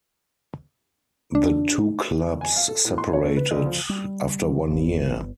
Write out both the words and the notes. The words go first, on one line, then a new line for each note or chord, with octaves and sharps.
The two clubs separated after one year.
D4
G#5
F5
A4
A2
C6
C#5
A3
B4
D2
F3
G3
G1 B3